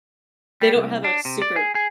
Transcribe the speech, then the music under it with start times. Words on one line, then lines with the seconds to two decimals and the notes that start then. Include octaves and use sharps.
They don't have a super
0.61 G3
0.75 C2
1.04 D4
1.25 C3
1.42 D5
1.56 G#4
1.75 G#4